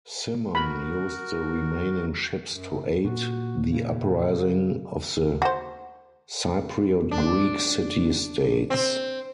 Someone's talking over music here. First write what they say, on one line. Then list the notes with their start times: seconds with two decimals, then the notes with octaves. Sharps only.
Cimon used the remaining ships to aid the uprising of the Cypriot Greek city-states.
0.55 F#4 A#4 B5
2.51 F#2
3.05 A#2 F#4
3.69 C#3
5.42 F#4 C5
7.11 D4
8.70 C4